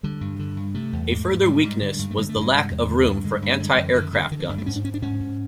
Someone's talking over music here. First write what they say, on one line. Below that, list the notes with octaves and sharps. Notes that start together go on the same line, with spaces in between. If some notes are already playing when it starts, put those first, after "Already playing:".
A further weakness was the lack of room for anti-aircraft guns.
D3 G3
G2
D3
G2
C3 A3
E2
G#2
G#2
G#2 G3
G#2
D3
G2
A3
D3 G#3
A3
G2
G#3
C3 G#3
E2
D3
G2
D3 G#3
G2
A3
D3 G#3
G3
F#2
E3
D3 D#3
G2 D3
D3 D#3
E3
G2 G3
A3
G#2 C#4
D4
G#2 C#4
D4
G#2 C#4
G#2